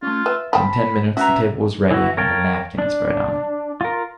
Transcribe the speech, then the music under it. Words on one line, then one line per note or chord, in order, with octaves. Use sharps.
In ten minutes the table was ready and a napkin spread on it.
A3 C#4 F4
B4 E5
F3 G5 A5 B5
C#4 F#4 B4 E5 A#5
E3 E4 F#4
A#4 C#5 F5 G5 A5
D4
F4 A#4